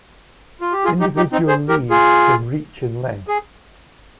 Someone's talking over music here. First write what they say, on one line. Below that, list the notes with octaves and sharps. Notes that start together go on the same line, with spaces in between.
Individual leaves can reach in length.
F4
G4
F4 G#4
D#4 G4
D#4 G4
C4 D#4
G#4 C5
G4 A#4
F4 G#4
G#4